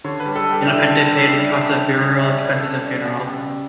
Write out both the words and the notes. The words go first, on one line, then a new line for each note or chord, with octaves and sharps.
Independiente paid the costs of burial expenses and funeral.
D3 C#5
B4
G3
A4
G3
G4
D4
D3 E4
D3
G3
G3 D4
D3
D3
G3
G3 E5
D5
D3 C#5
B4
C#3 A4
G3
D5
G3
C#3 G4
C#3